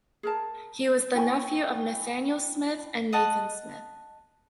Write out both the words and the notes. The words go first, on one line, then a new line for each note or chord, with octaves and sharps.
He was the nephew of Nathaniel Smith and Nathan Smith.
G#4 A#4 A5
E4 G5 G#5 C#6
D#5 F#5 A5